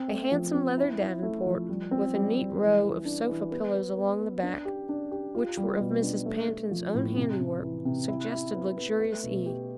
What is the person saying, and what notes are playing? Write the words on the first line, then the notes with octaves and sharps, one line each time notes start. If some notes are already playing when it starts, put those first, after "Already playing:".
A handsome leather davenport with a neat row of sofa pillows along the back, which were of Mrs. Pantin's own handiwork, suggested luxurious ease.
Already playing: C4
A3
F3
C4
E4
E4
A3
F3
G3
C4
G3
G3
E3
E3
D4
E3
B3
B3
B3
B3
D4
G4
D4
G4
F4
G3
B2
D4
A3
A3
F3
A2
C3
C3
E3
C3
E4
E4
B3
B3
A3
B2
G4